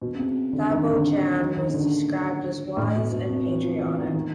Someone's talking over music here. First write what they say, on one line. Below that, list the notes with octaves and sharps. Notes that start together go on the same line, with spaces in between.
Babo Jan was described as wise and patriotic.
B2
C#3
C3
D3
D#3
D3
D#3
D#3
C#3
D3
A2
B2
B2
C3
E3
F3
E3
D#3
D#3